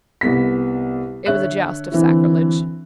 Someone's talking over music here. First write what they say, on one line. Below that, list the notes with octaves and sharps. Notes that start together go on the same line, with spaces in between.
It was a joust of sacrilege.
C2 B3 B6
D3 C#5 E5 F#6
D3 E3 C4 E4